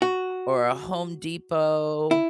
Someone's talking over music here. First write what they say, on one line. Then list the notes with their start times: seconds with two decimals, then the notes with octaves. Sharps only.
or a Home Depot
0.02 F#4
2.11 E4